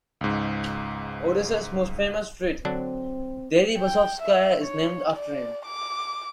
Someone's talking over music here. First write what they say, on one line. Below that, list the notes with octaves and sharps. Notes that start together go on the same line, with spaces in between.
Odessa's most famous street, Deribasovskaya, is named after him.
C#2 G#2
D3 F#3 C4 D4
G5
E5
C#5
D5
D6